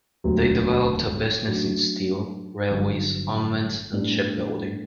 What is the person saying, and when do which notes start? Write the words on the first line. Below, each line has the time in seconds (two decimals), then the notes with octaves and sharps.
They developed a business in steel, railways, armaments, and shipbuilding.
0.24 E1 D2 C3 F#3 B3
1.47 F#2 F#3 A3 D4
2.70 G1 F#2 D3 F#3
3.93 A2 G3 B3 D4